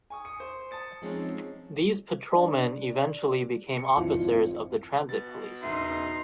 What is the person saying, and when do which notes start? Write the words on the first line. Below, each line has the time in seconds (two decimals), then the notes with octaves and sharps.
These patrolmen eventually became officers of the Transit Police.
0.10 G#5 C#6 D#6
0.25 D#6 C#7
0.40 C5
0.71 A5 D#6 A6 C#7
1.02 F3 G#3 C4 C#4 D#4
2.36 D4
3.77 C#7
3.97 G#1 F2 E3 F3
5.09 B2 A6
5.62 E1 C#3 D#4 E5 C6